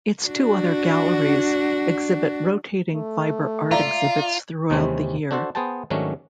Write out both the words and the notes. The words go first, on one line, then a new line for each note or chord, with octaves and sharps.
Its two other galleries exhibit rotating fiber art exhibits throughout the year.
D4 F#4
A3
F4 D5 E5 F5 A#5
D#2 C3 E3 G#3 C4 C#4
D4 F#4 A4 C5 F#5
B3 G#4 C5 G5 A5
G#2 D#3 F#3 A3 C#4 D4